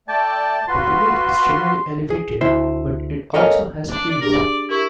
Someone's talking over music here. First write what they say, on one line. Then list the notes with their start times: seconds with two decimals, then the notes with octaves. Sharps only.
The village is generally elevated, but it also has fields.
0.08 A3 D5 G5 A5
0.68 F4 F#4 B4 C6
2.10 G#4
2.41 D2 E4 C5 E5
3.34 A4 A#4 C#5 D#5 F5 G#5
3.91 D4
4.09 D5
4.21 D4 G4 G#4 A#4
4.32 D5
4.70 E4 G4 A#4 C#6